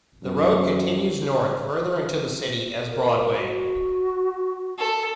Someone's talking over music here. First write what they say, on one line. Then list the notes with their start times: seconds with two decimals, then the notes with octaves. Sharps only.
The road continues north, further into the city, as Broadway.
0.23 F#2
2.90 A#4
3.39 F#4
4.78 A4